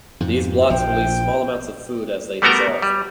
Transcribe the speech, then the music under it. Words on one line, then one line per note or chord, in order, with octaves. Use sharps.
These blocks release small amounts of food as they dissolve.
F2 G#2
A#1 A#2 F3 G5
G3 A3 B3 F#4 A#4 G5
G3